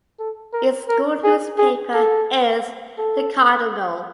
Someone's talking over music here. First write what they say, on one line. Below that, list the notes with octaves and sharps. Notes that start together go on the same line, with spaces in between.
Its school newspaper is "The Cardinal".
A4
A#4
A#4
G#4
G#4
A4
A4